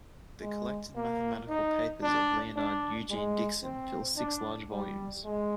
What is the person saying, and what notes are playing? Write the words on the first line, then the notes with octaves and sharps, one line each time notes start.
The "Collected Mathematical Papers of Leonard Eugene Dickson" fill six large volumes.
G#3
A#3
D#4
D4
D4
G#3
C4
D4
G3
G#3